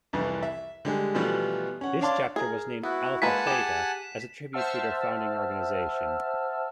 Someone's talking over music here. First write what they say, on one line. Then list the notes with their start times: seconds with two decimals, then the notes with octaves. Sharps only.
This chapter was named Alpha Theta as a tribute to their founding organization.
0.13 C2 F2 E3
0.43 E5
0.85 D3 G3 G#3
1.15 B2 E3 F3 G3 A3 B3
1.81 C#4 F#5
2.01 D4 C#5 F5 A5 C6 D6
2.36 G#4 A#4
2.83 B3 E4 F#4
3.22 G#3 A#3 B4 F#5 G#5 A5 B6
3.47 G4 G#4 E7
4.53 C5 E5 F#5 A5 E6 F6